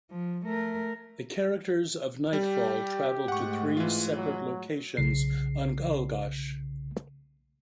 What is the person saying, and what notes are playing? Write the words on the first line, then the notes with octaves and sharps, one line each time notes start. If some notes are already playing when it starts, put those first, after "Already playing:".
The characters of "Nightfall" travel to three separate locations on Kalgash.
F3
A3 A#4
G3 G4
G#2 A3 F#5 C#6
E3 F4
F#3
B1 C#3 C7